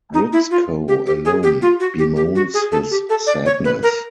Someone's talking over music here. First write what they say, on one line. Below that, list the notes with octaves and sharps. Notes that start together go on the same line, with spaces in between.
Gritsko, alone, bemoans his sadness.
D#4
E4
F4
G4
G4
G#4
G4
F4
F#4
G4
G4
F#4
G#4
A4
G4
A4
D5
C#5
B4
A#4